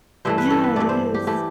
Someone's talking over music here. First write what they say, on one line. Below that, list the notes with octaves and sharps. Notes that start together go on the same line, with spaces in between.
Yeah, it is.
G2 E3 A3 C5
B4
A4
B4
G2 E3 A3 D5
C5
G4
E3 A3 G4